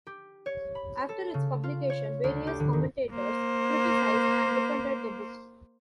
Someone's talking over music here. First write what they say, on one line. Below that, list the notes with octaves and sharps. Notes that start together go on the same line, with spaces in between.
After its publication, various commentators criticized and defended the book.
G4
C#5
B5
A4
C#3
F4
C#5
D2
G4
D3
D#3
A#3 C5